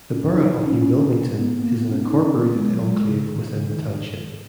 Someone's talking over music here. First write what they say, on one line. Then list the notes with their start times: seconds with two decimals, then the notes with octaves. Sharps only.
The borough of New Wilmington is an incorporated enclave within the township.
0.11 C#4
0.32 D#4
0.64 C#4
0.96 C#4
1.39 B3
1.60 A#3
1.76 B3
1.91 C#4
2.07 D#4
2.22 C#4
2.39 B3
2.54 G#3
2.71 F#3
2.87 G#3
3.07 C#3
3.29 D#3
3.50 C#3
3.72 D#3